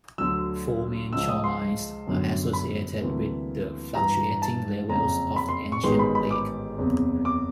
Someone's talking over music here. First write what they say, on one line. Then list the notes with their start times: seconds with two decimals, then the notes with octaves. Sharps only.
Four main shorelines are associated with the fluctuating levels of the ancient lake.
0.18 D2 D3 F#3 E6
1.12 C#2 C#3 F3 E6
1.28 D#6
1.44 C6
2.06 G1 F#2 D3 F#3
2.53 B5
3.01 D2 C3 E3 G3 A#3
3.95 G2 E3 G3 A#5
4.42 A5
4.89 F#1 F2 C#3 A#5
5.36 B5
5.49 C6
5.72 C#6
5.83 A1 G#2 D#3 G#3 B3 C6
5.99 B5
6.15 B5
6.31 D6
6.78 F#1 E2 C3
7.25 D6